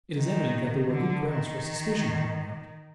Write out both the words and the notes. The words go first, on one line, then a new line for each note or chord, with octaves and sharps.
"It is evident that there were good grounds for suspicion," he remarked.
D#3
D3
D#3